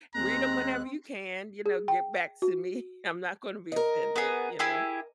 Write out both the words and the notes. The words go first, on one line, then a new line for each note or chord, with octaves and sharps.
Read 'em whenever you can, you know, get back to me. I'm not gonna be offended," you know.
D#2 G#3 C4 A#5 F#6
G#4
G5
F#4
A#4 D#5
B3 G#4
E4 G4 G#4